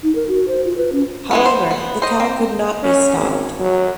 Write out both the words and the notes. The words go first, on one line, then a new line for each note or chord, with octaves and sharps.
However, the cow could not be stopped.
D#4
A#4
F#4
C5
F4
B4
C#4
E3 G#3 B3
C5
B3
C5 D#5
C4
C#4
G#1
F#3